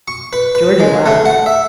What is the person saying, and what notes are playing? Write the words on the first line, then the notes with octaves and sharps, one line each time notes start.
Georgie laughed.
C#6
B4
B4
G#3
A3
F#5
E5